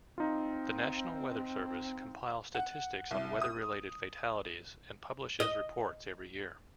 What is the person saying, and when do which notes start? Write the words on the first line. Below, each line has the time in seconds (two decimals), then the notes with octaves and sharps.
The National Weather Service compiles statistics on weather-related fatalities and publishes reports every year.
0.18 C4 D#4 F4
2.55 F#5
3.11 C2
3.42 D#6
5.40 D#5